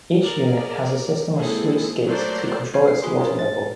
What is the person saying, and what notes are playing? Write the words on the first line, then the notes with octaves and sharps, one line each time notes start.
Each unit has a system of sluice gates to control its water level.
G#4 A#4 D5
G#3 A#3 C4 E4 G#4 A4
F#3 A3 A4 A#4 C5 D5
C#4 C5 C#5 F5 G#5
G#4 C7
F4 F#4 G#4 B4 B5 C6
C#4 F4 G#4 A#4 B4 C#5
A6